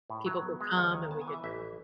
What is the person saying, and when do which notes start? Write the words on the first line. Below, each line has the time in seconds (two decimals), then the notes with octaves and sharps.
people could come, and we could
0.10 A2
0.26 F#3
0.43 B3
0.61 G#3
0.77 D#2 F#5
0.93 D#3 G#5
1.11 B3 A5
1.21 G#5
1.28 E3
1.33 E5
1.44 A1 E5